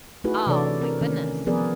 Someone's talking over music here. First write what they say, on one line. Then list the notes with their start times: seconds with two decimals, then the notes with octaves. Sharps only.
Oh my goodness.
0.24 A3 D#4 E4 F#4 G#4 B4
0.47 C3 E3 D4 A4 C#5 D5
0.82 C4 A#4
1.01 D#3 A3 C#4
1.47 F3 B3 G#4 A#4 B4 D5